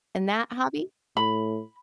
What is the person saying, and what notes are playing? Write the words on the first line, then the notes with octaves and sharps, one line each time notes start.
in that hobby.
A2 B5